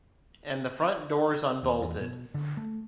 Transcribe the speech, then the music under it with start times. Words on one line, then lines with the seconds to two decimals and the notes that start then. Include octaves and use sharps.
And the front door's unbolted.
1.63 D#2
1.82 E2
2.01 B2
2.34 D3
2.57 A3